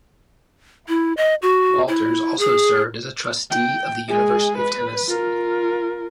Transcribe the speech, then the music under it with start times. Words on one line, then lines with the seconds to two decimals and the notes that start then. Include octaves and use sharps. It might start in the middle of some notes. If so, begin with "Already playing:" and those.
Walters also served as a trustee of the University of Tennessee.
0.88 E4
1.17 D#5
1.42 F#4
1.88 E4
2.39 G#4
3.50 G5
4.08 G#3 G#4
4.58 B4
5.08 F4 A#4